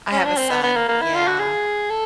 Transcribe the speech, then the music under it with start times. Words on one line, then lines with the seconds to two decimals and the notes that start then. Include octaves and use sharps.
I have a son. Yeah.
0.12 C#4
0.25 D4
0.37 C4
0.50 B3
0.63 B3
0.76 A#3
0.89 A#3
1.02 E4
1.15 F4
1.27 F#4
1.39 G#4
1.90 A4